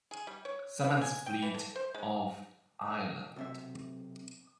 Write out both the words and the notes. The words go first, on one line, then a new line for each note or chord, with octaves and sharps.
Seventh Fleet off Ireland.
G#4
G3
C#5
E3
G#5
G5
E3
A4
C5
G#3
B1 C3 E5